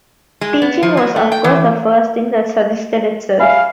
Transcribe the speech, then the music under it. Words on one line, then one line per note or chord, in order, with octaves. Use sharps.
Teaching was, of course, the first thing that suggested itself.
G#3
B3
F3
F#3
A3
G5
E3
E5 F5 G#5 B5